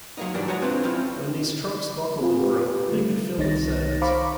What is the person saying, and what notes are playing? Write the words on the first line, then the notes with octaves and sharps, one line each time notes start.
When these trunks buckled and broke, they could fill with sediment.
F#3 A#3 D#4
G2 E3 F#3 G3 D4
G#3 F#4 C#5 D#5 A#5
C4 D4 F4 G#4 B4 C5
F3 C4 C#4 E4 F4
C4 F4 G#4
F4 G4 B4
G3 A3
C2 D#3 D#4 C#5 A6 A#6
C5 F5 A#5 B5 C#6 D6